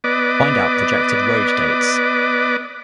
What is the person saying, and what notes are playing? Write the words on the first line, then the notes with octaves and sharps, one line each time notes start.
Find out projected road dates.
B3 B4 D5 D#5 D6